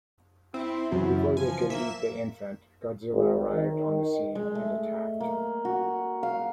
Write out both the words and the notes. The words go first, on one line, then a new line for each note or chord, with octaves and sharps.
Before they could eat the infant, Godzilla arrived on the scene and attacked.
C4 E4
F#2 C#3 E3 F#3 E4
F3 G#5
A#3 E5
G#1
D#3
G#3
A3
A#3
F#4
F5